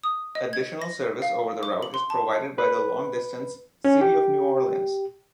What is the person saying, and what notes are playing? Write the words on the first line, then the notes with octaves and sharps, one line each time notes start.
Additional service over the route is provided by the long-distance "City of New Orleans".
D#6
D#5
G#6
A#6
F5
D6
F#7
C6
A5
B4
C#4
G4